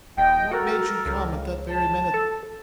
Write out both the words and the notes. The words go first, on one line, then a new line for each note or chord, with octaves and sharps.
And what made you come at that very minute?
D#1 D#5 G5
F#4 A4 A#4
C#2
A5
A4